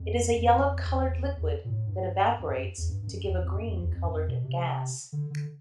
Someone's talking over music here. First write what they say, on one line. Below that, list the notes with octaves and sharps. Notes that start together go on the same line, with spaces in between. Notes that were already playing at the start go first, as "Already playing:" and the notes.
It is a yellow-colored liquid that evaporates to give a green-colored gas.
Already playing: F2
F2
E2
E2
A#2
A2
G2
F#2
F#2
E2
G2
G2
F#2
E2
F2
F#2
F2
E2
F2
F#2
F2
B2
C3
D3
D3